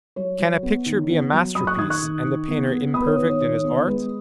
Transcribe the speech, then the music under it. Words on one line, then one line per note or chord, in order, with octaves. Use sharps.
Can a picture be a masterpiece and the painter imperfect in his art?
F#3 C#5
F#3
B3
D#3
B3
F#3
F#3 B5 D#6
C#6 F#6
D#3 D#6 G#6
C#6 F#6
D#3
D#3
B3
B3
B3 B5 D#6
B4
C#5
D#3 B4
C#5
D#3 C#5
B3
G#3 B4